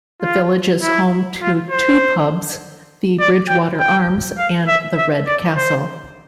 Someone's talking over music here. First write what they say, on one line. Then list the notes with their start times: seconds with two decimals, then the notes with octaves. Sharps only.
The village is home to two pubs, The Bridgewater Arms and the Red Castle.
0.22 F4
0.82 E4
1.42 F4
1.71 C5
3.20 D5
3.49 G5
3.80 G5
4.38 F5
4.68 E5
4.97 E5
5.27 D5
5.57 C5